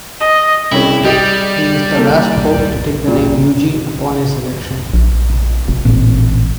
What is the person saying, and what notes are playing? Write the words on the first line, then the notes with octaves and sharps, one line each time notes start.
He is the last pope to take the name "Eugene" upon his election.
D#5
C2 C#3 E4 C#5
G3 G4 G#4 D#5
A#3 A4
A#2 G3
A#1
F1
A1 A#2 C4